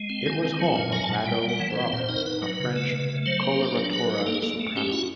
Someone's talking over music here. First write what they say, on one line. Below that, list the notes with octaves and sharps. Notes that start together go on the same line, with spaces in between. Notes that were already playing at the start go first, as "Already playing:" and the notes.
It was home of Mado Robin, a French coloratura soprano.
Already playing: G#3
C4
D#3 G#5
C4
F#3
A#2
F#3 A#5
A5
A#2
G#5
G3 G5
G3
F#5
E3
C5
C4
A#2 C5
D#4
A#4
D#4 B4
F#3
C#3
A3
C#3
A3
F#3 C5
A#3
D4
F#3
F#3 B4
D#4
A#3 A4
G#4
A#3 A4
A3
C#4 G4
E4 F#4